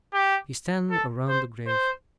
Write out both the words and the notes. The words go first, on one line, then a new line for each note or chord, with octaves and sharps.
We stand around the grave.
G4
A4
C5
C5